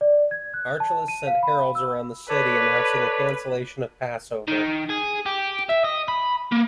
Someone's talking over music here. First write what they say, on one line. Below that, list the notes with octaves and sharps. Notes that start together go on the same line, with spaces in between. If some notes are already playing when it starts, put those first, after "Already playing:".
Archelaus sent heralds around the city announcing the cancellation of Passover.
D5
G#6
F#6
A5
D#7
F5
B5
E6
A4 B4 C#5 D5
D#3
G#4
G4
E5
D#5
B5
A#3